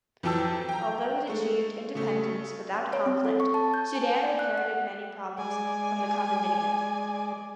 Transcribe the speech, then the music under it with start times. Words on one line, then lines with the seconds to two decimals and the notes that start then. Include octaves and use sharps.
Although it achieved independence without conflict, Sudan inherited many problems from the condominium.
0.23 F2 E3 F#3 G5 A5 E6
0.69 G5 A#5
1.27 G#3 A3
1.95 C#3 A3
2.93 C#5
3.06 C4
3.25 A4
3.40 C#6
3.54 A5
3.74 G6
3.95 G#5
4.23 D5
4.39 F#6
4.58 F#5
5.38 G#3 D5 G#5